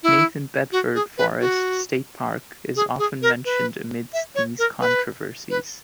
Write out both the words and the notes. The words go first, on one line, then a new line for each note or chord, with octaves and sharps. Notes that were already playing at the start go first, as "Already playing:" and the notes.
Nathan Bedford Forrest State Park is often mentioned amidst these controversies.
E4
F#4
G#4
B4
F#4
G#4
G#4
A#4
B4
E5
C#5
A#4
B4
B4